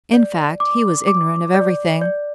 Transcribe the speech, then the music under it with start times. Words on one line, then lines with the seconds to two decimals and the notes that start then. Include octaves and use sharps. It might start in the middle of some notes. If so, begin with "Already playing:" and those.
In fact, he was ignorant of everything.
0.13 D5
0.60 D6
1.07 D6
1.54 D5
2.01 D5